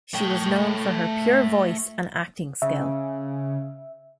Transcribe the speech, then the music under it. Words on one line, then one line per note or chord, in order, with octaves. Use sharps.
She was known for her pure voice and acting skill.
A3 G5
C#3 E5